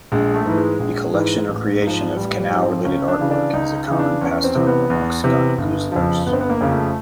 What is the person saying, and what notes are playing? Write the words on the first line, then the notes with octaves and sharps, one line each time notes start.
The collection or creation of canal related artwork is a common pastime amongst gongoozlers.
A#1 G#3
A3
G#2 E3
G#3
A#1
G#2 E3
A1
G#2 F3
A1 G3
G3
G#2 F3
C4
C#2 C#4
D4
C#3 E3
D4
C#2 D#4
C#3 E3 D#4
D4
E2 C#4
C4
C3 E3
B3
E2
C3 E3
G1
F2 C#3 F3
G1 B3
C4
B3
A#3
F2 C#3 F3
A3